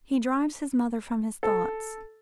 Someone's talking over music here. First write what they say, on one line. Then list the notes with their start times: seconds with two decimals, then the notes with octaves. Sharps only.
He drives his mother from his thoughts.
1.43 A4